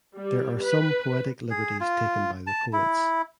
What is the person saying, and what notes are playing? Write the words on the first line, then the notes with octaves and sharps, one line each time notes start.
There are some poetic liberties taken by the poets.
G3
B4
G#4
F4
A5
E4